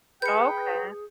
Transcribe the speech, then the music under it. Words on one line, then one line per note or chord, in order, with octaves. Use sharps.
Oh, okay.
G#4 B4 G5 G6 C#7